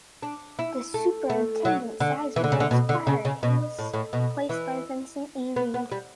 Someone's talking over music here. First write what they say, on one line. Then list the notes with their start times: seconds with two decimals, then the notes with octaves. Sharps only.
The superintendent, Sizemore was fired and was replaced by Vincent E. Reed.
0.23 D4
0.59 E4
0.94 A3
1.30 A3
1.65 F#3
2.00 D3
2.36 E3
2.44 D3
2.52 C#3
2.60 D3
2.71 B2
2.89 D3
3.07 C#3
3.25 C#3
3.43 B2
3.79 A2
3.94 A2
4.13 B2
4.49 E3
5.56 B3
5.74 B3
5.92 G3